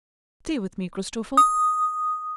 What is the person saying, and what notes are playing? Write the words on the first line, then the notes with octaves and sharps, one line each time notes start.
Stay with me, Christopher.
D#6